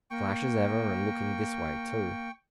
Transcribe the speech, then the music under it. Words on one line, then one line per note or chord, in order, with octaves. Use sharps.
"Flash as ever, and looking this way, too."
A#3 G5 C#6